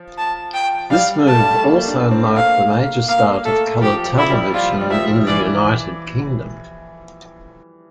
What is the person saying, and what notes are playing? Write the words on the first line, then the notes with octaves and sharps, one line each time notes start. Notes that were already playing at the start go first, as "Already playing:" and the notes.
This move also marked the major start of color television in the United Kingdom.
Already playing: F3
A5
G5
G3 F5
A3 A5
G3
A3
A#3
D4
C4
A3
A#3 F5
A#3 F5
A3 A4
F3 G4
F3
E4
G3
G3 F4
G3
F3 E5
E3 D5